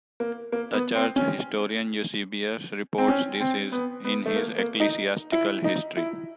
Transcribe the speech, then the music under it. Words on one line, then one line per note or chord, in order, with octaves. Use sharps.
The church historian, Eusebius, reports this in his "Ecclesiastical History".
A#3
A#3
B3
C4
C#4
C4
C#4
C4
B3
B3
A3
A#3
A#3
D#4
E4
D#4
E4